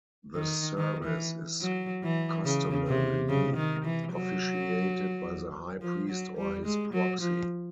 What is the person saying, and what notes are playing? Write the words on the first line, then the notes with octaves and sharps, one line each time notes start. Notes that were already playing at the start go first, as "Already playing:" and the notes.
The service is customarily officiated by the high priest or his proxy.
D#3
D#3
E3
F#3
E3
C#3
C3
C#3
D#3
E3
F#3
F3
F#3
G3
G#3
F#3
F3